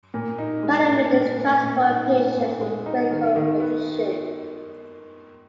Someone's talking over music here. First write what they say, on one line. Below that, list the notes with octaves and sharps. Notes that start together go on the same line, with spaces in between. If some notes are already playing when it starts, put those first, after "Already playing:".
Paramedics transport patients in critical condition.
A#2
D#4
G#3
A#2
A#2
A#2
A#2
D#4
A#2
A#2
G#3
D#4
D#3
D#3
B3